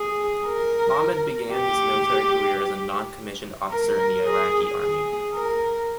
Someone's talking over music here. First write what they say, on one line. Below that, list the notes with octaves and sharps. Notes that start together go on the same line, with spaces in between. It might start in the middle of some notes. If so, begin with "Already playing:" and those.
Mahmud began his military career as a non-commissioned officer in the Iraqi Army.
Already playing: G#4
A#4
G4
A#4
G#4
G#4
A#4